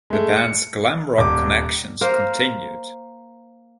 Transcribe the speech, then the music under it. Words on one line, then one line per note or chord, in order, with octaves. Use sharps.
The band's glam rock connections continued.
G#3 A3
C#7
D#1 D6
A#3 A#4 C5